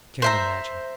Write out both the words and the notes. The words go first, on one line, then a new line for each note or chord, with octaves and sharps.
'Can't imagine.
C5 E5 A#5